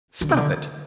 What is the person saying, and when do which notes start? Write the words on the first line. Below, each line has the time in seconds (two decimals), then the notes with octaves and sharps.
Stop it!
0.21 D3
0.29 C3
0.37 D3